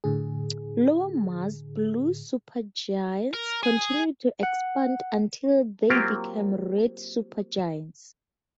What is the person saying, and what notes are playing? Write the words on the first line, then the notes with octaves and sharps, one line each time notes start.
Lower mass blue supergiants continue to expand until they become red supergiants.
A2 D3 G#4
A#4
G#4
F#5
F#3 A#3 C4 F4 G4 A#4